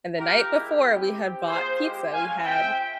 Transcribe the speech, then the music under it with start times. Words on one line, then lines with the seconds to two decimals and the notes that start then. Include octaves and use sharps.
And the night before, we had bought pizza, we had
0.18 A#3 F4 G4 A#4
0.50 G#3 E4 G4
0.83 C4 E4 G4
1.14 C4 G4
1.47 A#3 F4 G#4 C5
1.79 G#3 C4 G4
2.11 G#3 C#4 F4 F5 G#5
2.44 C4 F4 E5 G5